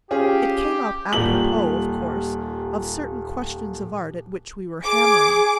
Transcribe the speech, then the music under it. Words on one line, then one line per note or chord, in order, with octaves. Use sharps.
It came up apropos, of course, of certain questions of art at which we were hammering.
C#4 F4 G4 G#4
D#1 G3 A#3 F4 F#7
G#4 D6